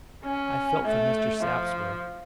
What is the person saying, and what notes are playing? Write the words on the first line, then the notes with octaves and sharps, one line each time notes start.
I felt for Mr. Sapsworth.
C#4
A3
F3